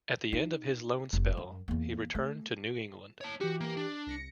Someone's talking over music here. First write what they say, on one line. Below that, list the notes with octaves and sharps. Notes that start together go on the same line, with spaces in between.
At the end of his loan spell he returned to New England.
D#4
F1
F#2
E2 A#3
A3
C#5 A5
E3 F#4 G4
A#3 A#4
D4
C2 A#6 C#7